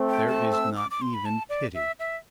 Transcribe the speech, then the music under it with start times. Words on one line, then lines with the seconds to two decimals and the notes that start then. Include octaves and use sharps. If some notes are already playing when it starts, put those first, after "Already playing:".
There is not even pity.
Already playing: A3 C4
0.09 G5
0.28 A5
0.52 E6
0.77 D6
0.91 D6
1.02 C6
1.14 B5
1.26 A5
1.49 D5
1.75 E5
1.99 E5